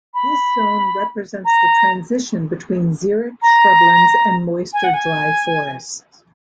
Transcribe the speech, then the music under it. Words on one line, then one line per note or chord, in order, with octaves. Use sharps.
This zone represents the transition between xeric shrublands and moister dry forests.
B5
A#5
A#5
G#5
F#5
G#5